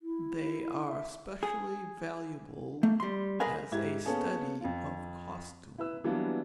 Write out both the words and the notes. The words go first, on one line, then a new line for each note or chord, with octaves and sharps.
They are specially valuable as a study of costume.
E4
E5
G#4
A3 A#3
G3 C6
G#4 A#4 B4 F5 G#5
G#2 E4 G4 G#6
A#3 B3 C#4 G#4 A4
F2 F4
E4 B4 E6
E3 F#3 G3 A#3 B3 D4